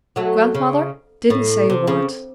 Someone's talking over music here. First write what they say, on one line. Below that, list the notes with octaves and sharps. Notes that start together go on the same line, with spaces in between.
Grandmother didn't say a word.
F#3 A3
C#3
A2
C3
C#3